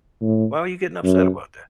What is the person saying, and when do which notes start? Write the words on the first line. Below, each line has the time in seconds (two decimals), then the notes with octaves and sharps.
why are you getting upset about that?"
0.22 A2
1.04 F#2